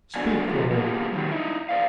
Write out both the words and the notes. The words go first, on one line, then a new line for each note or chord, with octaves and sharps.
"Speak, Raoul."
B3 D4 F#4 A4 D5 G#5
E2 F3 F4 G4
A#3 B3 F4 G4 G#4
D#3 F#3 G3
D#4 E4
C5 D5 F5